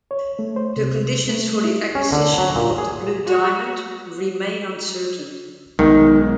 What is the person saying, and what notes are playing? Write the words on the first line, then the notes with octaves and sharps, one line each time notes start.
The conditions for the acquisition of the blue diamond remain uncertain.
C#5
A3
C5
C3
A3
A3
E4
C#4
D3
F#3
A#2
G#4
F#4
B1 D#3 G#3